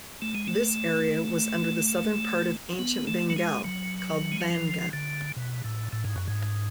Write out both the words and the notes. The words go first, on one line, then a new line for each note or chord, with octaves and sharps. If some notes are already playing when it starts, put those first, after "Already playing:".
This area was under the southern part of ancient Bengal called Vanga.
A3
G#3
A3
B3
A3
F#3
G#3
F#3
G#3
F#3
F3
D3
B2
A2
A2
G#2
F#2
G#2